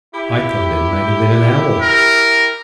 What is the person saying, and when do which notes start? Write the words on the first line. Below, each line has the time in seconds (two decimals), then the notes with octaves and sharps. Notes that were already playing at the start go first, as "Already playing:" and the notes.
I thought it might have been an owl.
0.14 E4 G4
1.81 A#4